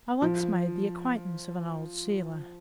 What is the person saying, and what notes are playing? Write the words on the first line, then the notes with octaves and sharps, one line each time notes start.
I once made the acquaintance of an old sealer.
F3